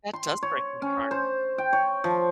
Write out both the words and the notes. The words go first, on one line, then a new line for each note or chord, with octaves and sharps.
That does break my heart.
C6
C#5
C#4
C5
G5
C#5
F3